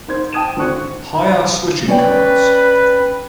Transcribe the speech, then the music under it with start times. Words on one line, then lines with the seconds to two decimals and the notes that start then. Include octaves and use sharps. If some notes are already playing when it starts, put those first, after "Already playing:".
Higher switching currents.
0.08 G#2 C5 G#6
0.33 G5 A5 D#6 G#6 D#7 E7
0.57 G#1 D3 C4 C#6 F#6 C#7
1.88 C#4 B4 D5 G5